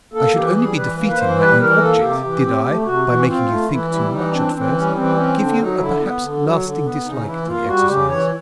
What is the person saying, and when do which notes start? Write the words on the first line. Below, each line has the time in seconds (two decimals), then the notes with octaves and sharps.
I should only be defeating my own object did I, by making you think too much at first, give you a perhaps, lasting dislike to the exercise.
0.14 A#3 A4
0.35 E3 G4
0.56 G3 G#4
0.76 E3 B4
0.98 A#3
1.08 B4
1.18 E3 C5
1.39 G3 B4
1.60 E3 A#4
1.81 A#3 A4
2.02 C3 G4
2.23 E3
2.44 C4
2.65 A3
2.86 C3 F#4
3.07 E3
3.27 C4 F4
3.48 A3
3.70 E3 E4
3.90 G3 E4
4.11 E3 D#4
4.32 C4 D4
4.53 E3 C4
4.74 G3 C#4
4.95 E3 C4
5.16 C4 C#4
5.37 D3 D4
5.58 F#3 D#4
5.79 D3 E4
6.00 B3
6.21 D3
6.42 F#3
6.62 D3
6.83 B3
7.04 C#3 D#4
7.25 E3 E4
7.46 A#3 F4
7.67 G3 F#4
7.88 C#3 G4
8.09 E3 C#5